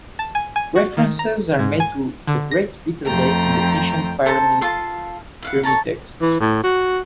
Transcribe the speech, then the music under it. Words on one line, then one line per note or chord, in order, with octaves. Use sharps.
References are made to the Great Bitter Lake in the ancient Pyramid Texts.
A5
G#5
G#5
F#4
D#3
A#5
G#2
G#5
D3
A#6
F2 A3 G5 A#5
A4 C5 A5 A#5
F4 A4 F5
E4 F5 F#5
A4 C#5 A5 A#5
E3
A2
F#4